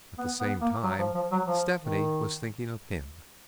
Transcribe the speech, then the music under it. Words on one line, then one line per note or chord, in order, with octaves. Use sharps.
At the same time Stephanie was thinking of him.
B3
B3
A#3
F#3
F3
F3
F#3
F3
D#3